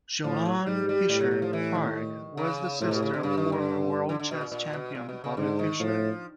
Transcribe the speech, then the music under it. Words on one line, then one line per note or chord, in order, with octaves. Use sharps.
Joan Fischer Targ was the sister of former world chess champion Bobby Fischer.
A2 F3
F#3
G#2 G3
G3
A2 G3
F#3
F#3
F3
E3
D#3
C#3
A2 C3
B2
C#3
D3
G2 C#3
D#3
D3
D3
D3
B2
A#2
A#2
B2
A#2
B2
C#3
G#2 D3
D#3
A2 F3